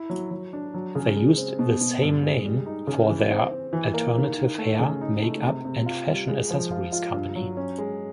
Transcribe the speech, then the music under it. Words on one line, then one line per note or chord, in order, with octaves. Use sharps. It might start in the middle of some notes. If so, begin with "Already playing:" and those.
They used the same name for their alternative hair, makeup and fashion accessories company.
Already playing: E4
F#3
F#3
D4
F#3
C#3
G#3
C4
B2
B2
G2
G#3
G3
D#4
C#3
E3
C4
C4
E3
A#3
D#3
D#3
A3
C#3
D#4
A3
C3
C3
F4
G3
G#3
F3
F4
F4
G2
F#3
C#4
G#3